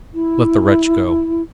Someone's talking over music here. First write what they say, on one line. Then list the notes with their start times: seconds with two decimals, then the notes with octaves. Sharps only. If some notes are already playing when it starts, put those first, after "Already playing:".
Let the wretch go.
0.11 E4